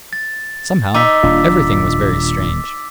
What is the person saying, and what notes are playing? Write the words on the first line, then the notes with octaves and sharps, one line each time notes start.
Somehow--everything was very strange.
A6
D#4 D6 E6 B6
D#1 A#2 D4 F4